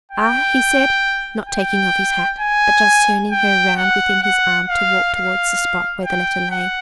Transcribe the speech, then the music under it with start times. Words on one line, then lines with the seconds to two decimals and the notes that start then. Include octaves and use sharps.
"Ah?" he said, not taking off his hat, but just turning her round within his arm to walk towards the spot where the letter lay.
0.12 G5
1.49 G5
2.40 G#5
3.31 G5
3.77 F#5
4.22 F#5
4.68 F5
5.14 F5
6.05 G5
6.51 F#5